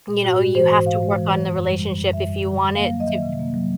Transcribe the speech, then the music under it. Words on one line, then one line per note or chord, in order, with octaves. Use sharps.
You know, you have to work on the relationship if you want it to
A#2
G#2 F#4
G#3
E3 C5
G#2
G#2 F5
G#3
E3
G#2
F#2
G3
D3
F#2
F#2 E5
G3
D3
F#2
A#3 F5
F#3
D#5
D#3 E5
C3
A#3
F#3